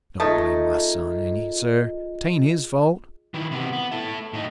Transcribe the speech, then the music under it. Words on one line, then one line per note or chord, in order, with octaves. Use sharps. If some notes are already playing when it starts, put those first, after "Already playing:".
Don't blame my son any, sir--'tain't his fault.
A3 D#4 F4 G#4 D#5
D#3 E3
C3 B3
B3
E4 A4
A2 D#4